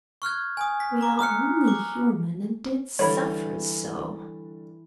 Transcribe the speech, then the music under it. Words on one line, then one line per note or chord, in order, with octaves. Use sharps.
We are only human, and did suffer so.
C#6 F6 F#6 G#6
G#5 D#6
B6
A#5 D6
D#6 F6 F#6 C#7
D6
G2 D3 E3 C#5 B5